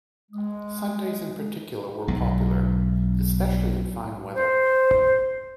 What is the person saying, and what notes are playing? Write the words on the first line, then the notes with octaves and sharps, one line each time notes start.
Sundays in particular were popular, especially in fine weather.
G#3
B1 G#2
C5